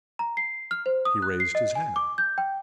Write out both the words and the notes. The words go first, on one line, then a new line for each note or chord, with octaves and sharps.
He raised his hand.
A#5
C7
F6
C5
D#6
F#6
C7
D#5
G#5
D6
G6
G5